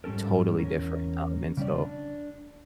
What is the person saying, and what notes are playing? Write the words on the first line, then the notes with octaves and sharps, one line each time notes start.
totally different, um, and so
G#2 G3 C#4 A4 A#4
E2 A#2 C#4 A#4
C#3 G3 C#4 D5
D4